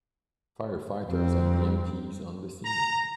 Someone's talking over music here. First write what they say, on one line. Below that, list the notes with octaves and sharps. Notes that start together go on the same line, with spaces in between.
Firefighters and EMT s on the scene.
F2 C4
A#5